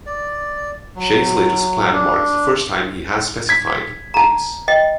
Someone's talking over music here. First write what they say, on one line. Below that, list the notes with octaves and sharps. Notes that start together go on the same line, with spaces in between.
Shays' latest plan marks the first time he has specified dates.
D5
F#3
D4
G#6 B6
A5 A#5
D#5 G5